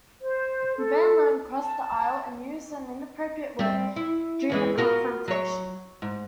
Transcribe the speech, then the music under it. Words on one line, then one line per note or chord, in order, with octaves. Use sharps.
Van Loan crossed the aisle and used an inappropriate word during the confrontation.
C5
A4
A5
G3 C4
E4
E2 E3 G#3
F4 F#4 A#4
F#3 C#5
G#2